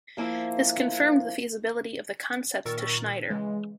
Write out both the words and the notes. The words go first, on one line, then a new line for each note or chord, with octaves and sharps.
This confirmed the feasibility of the concept to Schneider.
F3 A#3 E4 F4 C5
A#2 D#3 A#4 C#6 E6 A6
C#3 E3 G#3